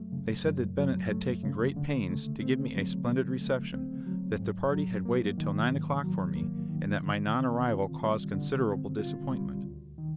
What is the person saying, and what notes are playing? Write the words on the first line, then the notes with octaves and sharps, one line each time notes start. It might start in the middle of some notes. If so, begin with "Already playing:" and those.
They said that Bennett had taken great pains to give me a splendid reception, that the party had waited till nine o'clock for me, and that my non-arrival caused considerable disappointment.
Already playing: F#2 F#3 A3
C#3
F#2
F#3
A3
C#3
D3
A3
C4
F#3
D3
A3
C4
F#3
G#2
F#3
A#3
D#3
G#2
F#3
A#3
D#3
D3
C4
F4
G3
D3
C4
F4
G3
D2
D#3